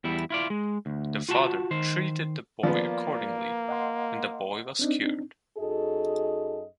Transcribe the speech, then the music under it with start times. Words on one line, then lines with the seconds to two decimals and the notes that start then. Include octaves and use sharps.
The father treated the boy accordingly, and the boy was cured.
0.04 E2 G3 E4
0.30 E4 F4 D5
0.50 G#3
0.86 D2
1.29 F4 F#4 A5
1.71 D#3 C5
2.63 F3 A#3 B3 D5
3.69 D#5 F#5 C6
4.79 C4 D4 D#4
5.58 F#2 D#4 F#4 G#4 A4 D#5